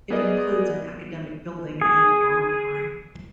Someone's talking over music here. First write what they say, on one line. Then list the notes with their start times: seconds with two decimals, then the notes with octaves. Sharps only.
It includes an academic building and a dormitory.
0.10 B3 G#4 A#4 D5 D#5
1.81 G#4